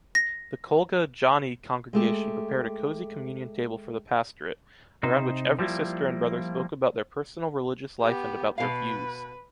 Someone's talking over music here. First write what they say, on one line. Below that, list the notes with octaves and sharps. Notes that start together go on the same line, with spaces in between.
The Kolga-Jaani congregation prepared a cozy communion table for the pastorate, around which every sister and brother spoke about their personal religious life and about their views.
A#6
G#3 A3 G4
C3 D#4 C5
F3 G3 A#3 E4
B3 G4
B2 B4 F5